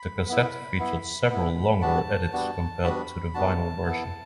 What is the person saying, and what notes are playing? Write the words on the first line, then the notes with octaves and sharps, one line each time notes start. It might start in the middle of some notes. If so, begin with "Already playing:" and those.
The cassette featured several longer edits compared to the vinyl version.
Already playing: B5
B3 E4
B3 E4
B3 E4
G3 B3 D4 F#4 A5
G3 B3 D4 F#4
G3 B3 D4 F#4 B5
G3 B3 D4 F#4 A5
B3 E4